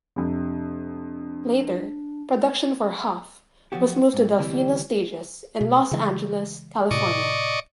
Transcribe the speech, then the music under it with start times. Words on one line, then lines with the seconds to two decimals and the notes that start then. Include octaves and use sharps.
Later, production for "Huff" was moved to Delfino Stages in Los Angeles, California.
0.16 F2 C3 D4
3.72 F3 F#3 B3 F#4 G4
4.14 G#2
4.38 D2 C3 E3 G3
5.61 B2
5.91 C#3 E3 G#3
6.91 A2 C3 D5 D#5 C#6